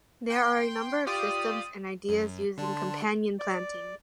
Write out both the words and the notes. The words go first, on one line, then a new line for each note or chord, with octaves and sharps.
There are a number of systems and ideas using companion planting.
G5 C6
F4 G4 D5 D#6
F#2
D3 D4 A5 C6
D5